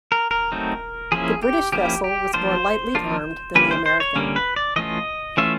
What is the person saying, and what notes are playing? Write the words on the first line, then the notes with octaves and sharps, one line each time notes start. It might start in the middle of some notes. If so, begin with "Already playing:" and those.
The British vessel was more lightly armed than the American.
A#4
A#4
F#3 A3 C4 D#4
F3 A#3 C#4 E4 G#4
G4
F3 A#3 C#4 E4 G4
G4
F3 A#3 D4 F4 C5
F3 A#3 D4 F4
D3 G3 A#3 C#4 B4
C5
C5
C#5
D3 G3 A#3 C#4
B4
D5
E3 A3 C#4 F4 D#5
E3 A3 C#4 F4 E5